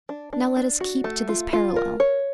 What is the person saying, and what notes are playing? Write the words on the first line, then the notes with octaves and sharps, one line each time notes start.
Now let us keep to this parallel.
D4
D4
D4
F#4
A3
F4
F4
A#4
C#5